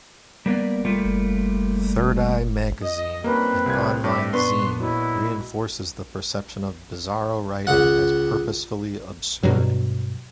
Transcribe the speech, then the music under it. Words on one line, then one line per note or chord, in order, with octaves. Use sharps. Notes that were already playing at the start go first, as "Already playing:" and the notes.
"Thirdeye Magazine", an online zine, reinforces the perception of Bizarro writing as purposefully absurd.
G3 A#3 B3 D5
G3 A3 A#3 F4
D#5
G3 A#3 C4 C#4 D#4 B4
C2 G3 G#3 F4 G#6
G2 G4 E5
A#2 B3 D4 B4 C6 C#6
F#3 E4 D#5
C#2 F#5
G2 B2 F#3